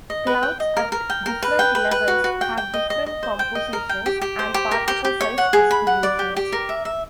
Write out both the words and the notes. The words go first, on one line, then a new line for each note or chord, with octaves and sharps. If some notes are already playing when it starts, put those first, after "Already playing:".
Clouds at different levels have different compositions and particle size distributions.
D#5
B4
G5
D#5
A#4
A#4
G5
A#4
B4
G5
B4
B4
F#4
F#4
G5
G5
D#5
D#5
D#5
C5
G5
D#5
A#4
G5
G4
G4
C5
G4
A#4
G4
G4
C#5
F#5
G#4
B5
F#5
D5
G4
G4
A#4
E5
E5